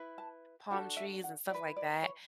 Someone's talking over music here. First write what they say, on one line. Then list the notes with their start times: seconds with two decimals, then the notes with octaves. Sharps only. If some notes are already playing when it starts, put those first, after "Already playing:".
palm trees and stuff like that.
Already playing: E4 B4
0.18 A5
0.71 D4 F#4 A4 D5
0.97 E5
1.24 F#5
1.50 E4 B4 D5
1.77 D5
2.03 C#5